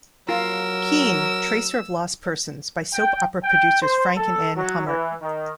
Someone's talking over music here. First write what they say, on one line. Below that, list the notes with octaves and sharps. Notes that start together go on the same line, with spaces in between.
Keen, Tracer of Lost Persons, by soap opera producers Frank and Anne Hummert.
F#3 F4 A#4 E6
G5
G5
C5
A4
F#3
E3
D#3